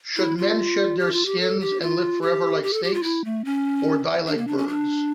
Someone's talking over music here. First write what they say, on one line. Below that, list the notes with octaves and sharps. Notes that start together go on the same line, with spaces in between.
Should men shed their skins and live forever like snakes, or die like birds?
E4
F4
G4
F4
G4
A4
G4
F4
G4
G4
A4
G4
F4
E4
A3
C#4
D4
A#3
D4
C#4
D4